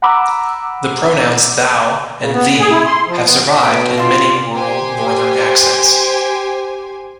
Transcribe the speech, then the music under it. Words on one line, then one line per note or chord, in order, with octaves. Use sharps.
The pronouns "thou" and "thee" have survived in many rural Northern accents.
F#5 A#5 B5 D6 E6
C#3
B3
D3
G#4
E4
C6
F3
B3
B2 G5 B5
C4 D4 F4 D5 F5 C6
G4 C5 G#5